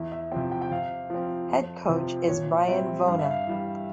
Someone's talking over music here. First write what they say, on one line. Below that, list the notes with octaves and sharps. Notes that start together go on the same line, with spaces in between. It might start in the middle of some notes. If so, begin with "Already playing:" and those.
Head coach is Brian Vona.
Already playing: E2 E5
E5
C3 F3 C4 G5
G5
G5
C3 F5
F3 C4
F2
C3 F3 C4
A#2 C#5
G3 C4 E5
G2 F5
E5
F5
E3 G3